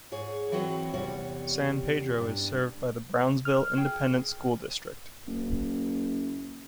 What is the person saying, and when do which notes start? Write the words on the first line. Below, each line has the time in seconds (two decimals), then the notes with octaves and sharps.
San Pedro is served by the Brownsville Independent School District.
0.12 G#2 G#4 C#5
0.52 E3 F#3 C4 F#4 B4 C#5
0.94 E2 C3 G3 C#5 F#5
2.18 G2 D4
3.45 F6
3.77 G#4 G5
5.27 F#1